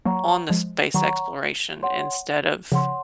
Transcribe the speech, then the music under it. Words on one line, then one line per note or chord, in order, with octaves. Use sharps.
on the space exploration instead of
F#3 A#3 C#5 F#5 A#5 C#6
F3 G#3
D#3 F#3 C#5 F#5 A#5 C#6
C#5 F#5 C6
C#3 F3 C#5 F#5 C6